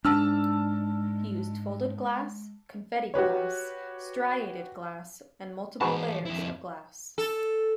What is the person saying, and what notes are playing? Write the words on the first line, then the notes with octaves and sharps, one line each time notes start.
He used folded glass, confetti glass, striated glass, and multiple layers of glass.
G#2 G#3 D4 A5 E6 F6
F#4 G4 B4 C#5
G#2 E3 F#4 B4 A5
F2 E4
A4